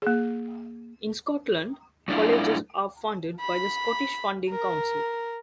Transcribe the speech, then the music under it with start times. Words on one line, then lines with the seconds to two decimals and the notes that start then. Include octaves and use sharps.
In Scotland, colleges are funded by the Scottish Funding Council.
0.02 A#3 G#4
2.08 F#2 A2 D4 E4 F4
3.41 B5
4.50 A#4